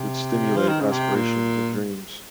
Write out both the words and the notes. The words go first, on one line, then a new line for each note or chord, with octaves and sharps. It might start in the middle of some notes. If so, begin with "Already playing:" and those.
would stimulate aspirations and dreams
Already playing: C3
F3
D#3
C#3
C3
A#2